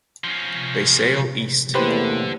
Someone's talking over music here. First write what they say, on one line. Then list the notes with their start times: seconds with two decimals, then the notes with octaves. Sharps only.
They sail east.
0.24 F3 C#4
1.74 E2 A2 D3 A#3 G4 B4 C5